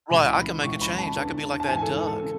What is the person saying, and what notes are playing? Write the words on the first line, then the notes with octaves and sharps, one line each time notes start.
Right, I can make a change, I could be like that duck.
C#2 C#3 E3 B5
B5
C#2 C#3 E3 C#6
B5
A5
E2 D3
A5
G#2 E3 G#5
A4
A4
A4
C#3